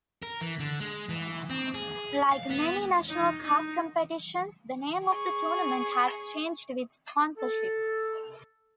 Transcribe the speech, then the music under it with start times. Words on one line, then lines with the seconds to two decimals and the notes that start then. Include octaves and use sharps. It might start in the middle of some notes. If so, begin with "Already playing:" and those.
Like many national cup competitions, the name of the tournament has changed with sponsorship.
0.23 A#4
0.41 E3
0.59 D3
0.80 G#3
1.09 E3
1.50 C4
1.74 G#4
2.32 F5
2.50 B3
3.08 D#4
3.44 D#4
5.04 G#4 C#6
7.38 A4